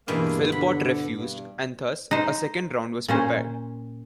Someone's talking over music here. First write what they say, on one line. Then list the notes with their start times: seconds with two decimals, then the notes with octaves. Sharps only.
Philpot refused and thus a second round was prepared.
0.08 G2 B2 E3 G#3 A#3
0.52 D3 B5
1.18 G2
2.11 D#4 C5
3.08 A#2 C#4 C5